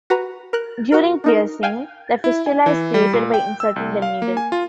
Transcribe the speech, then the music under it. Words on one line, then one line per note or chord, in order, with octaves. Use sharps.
During piercing, the fistula is created by inserting the needle.
F#4 B4 A#5
A#4 F#6
F#4 A#4
D4 D#4 A#4
F5 G5 G#5 F6
E4
G#5
E3
G3
A#2
G5
E6
C2
F5
A#3
G#5
F4